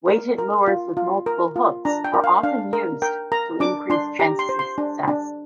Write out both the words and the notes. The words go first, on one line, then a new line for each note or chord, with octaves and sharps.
Weighted lures with multiple hooks are often used to increase chances of success.
A#4
A#4
F4
F4
A#4
F4
D4 A#5
G5
A#4
F5
D4 F5
A#4
A#4 G5
A#4 A#5
D4 D6
D4 C6
G4 A#5
C6
C5
C6
D4
D4